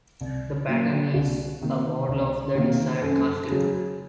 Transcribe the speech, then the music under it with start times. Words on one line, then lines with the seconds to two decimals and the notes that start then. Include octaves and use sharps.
The pattern is a model of the desired casting.
0.21 C2
0.68 A#2 F#3 A#3
1.14 C2 F#4
1.61 C3 D#3 A#3
2.09 C2
2.55 C3 D#3 A#3
3.02 F#2 A4
3.49 C#3 F#3